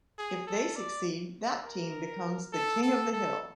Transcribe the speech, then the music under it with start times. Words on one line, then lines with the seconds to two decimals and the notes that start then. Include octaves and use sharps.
If they succeed, that team becomes The King of the Hill.
0.18 G#4
0.47 A4
0.76 D5
1.64 A#4
2.53 A4
2.83 A4
3.12 A4